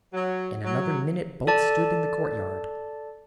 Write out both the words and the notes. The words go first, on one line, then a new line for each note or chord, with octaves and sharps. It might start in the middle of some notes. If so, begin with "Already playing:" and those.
In another minute both stood in the courtyard.
F#3
F#3
A4 D5 A5